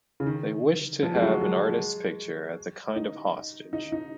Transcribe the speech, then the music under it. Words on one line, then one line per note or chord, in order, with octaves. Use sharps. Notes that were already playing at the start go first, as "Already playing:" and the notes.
They wished to have the artist’s picture as a kind of hostage.
C#3
D#3
F3
G#3
F#3
G#3
D#4
D#4
D#4